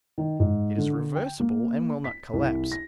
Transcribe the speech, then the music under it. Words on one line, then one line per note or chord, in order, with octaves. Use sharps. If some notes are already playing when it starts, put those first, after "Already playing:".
It is reversible and will not collapse.
D#3
G#2
D3
D3
G5
A#3
B6
C2
A#6